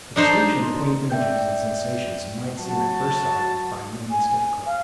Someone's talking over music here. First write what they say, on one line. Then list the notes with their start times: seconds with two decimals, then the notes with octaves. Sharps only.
The distinction between images and sensations might seem at first sight by no means difficult.
0.16 D4 D#4 C5
1.10 D5 E5 G5 G6
2.58 F#3 F#4 A5
4.10 G#5
4.66 F5